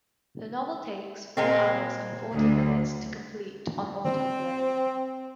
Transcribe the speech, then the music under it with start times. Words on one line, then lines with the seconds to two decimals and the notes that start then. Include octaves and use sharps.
The novel takes four hours and forty minutes to complete on auto play.
1.37 A#2 G#3 C4
2.33 D2
4.05 C4